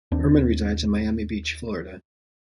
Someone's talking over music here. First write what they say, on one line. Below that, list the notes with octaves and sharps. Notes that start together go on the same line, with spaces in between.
Herman resides in Miami Beach, Florida.
D#2 C4 D4